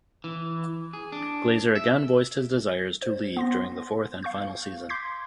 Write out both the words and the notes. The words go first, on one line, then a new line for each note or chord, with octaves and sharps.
Glaser again voiced his desires to leave during the fourth and final season.
E3
G#4
D4
E5
C5
B3 C6 A#6
F5 C#6 G6
C6 D6 G6 G#6 B6 C7